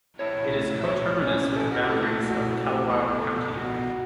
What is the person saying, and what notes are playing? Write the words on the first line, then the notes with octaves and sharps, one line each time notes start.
It is coterminous with the boundaries of Kalawao County.
E4 C#5
A2
E5
E4 C#5
C#4
E4 A4
F#4
A3 A4
F#4
A4
A2 F#4
A3
B2 A4
B2
B2 F#4